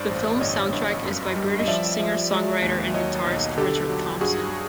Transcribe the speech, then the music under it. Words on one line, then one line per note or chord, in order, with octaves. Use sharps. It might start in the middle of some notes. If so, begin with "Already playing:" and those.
The film's soundtrack is by British singer-songwriter and guitarist Richard Thompson.
Already playing: G2 C5 D5
A1
G1 C#5 D#5
G2
F#2
G3
D#5
F3 D5 E5
F3
G#3
D#2
F#3 C#5 D#5
B1
D3 G4 A4
F#3
G2 F#4 G#4